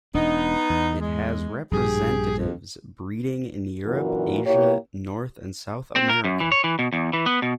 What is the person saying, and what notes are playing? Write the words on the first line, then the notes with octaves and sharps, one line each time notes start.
It has representatives breeding in Europe, Asia, North, and South America.
E1 B3 D4 D#4
E2
G#3
A#1 G2 G4 G#4
F2
F#2 A#2 D3 E3 F#4 A#4
A#2 A#3 E4 G4 C#5
C4
A#4
F#2
E3
C#5
E3
B2
E2
E3
B3
B2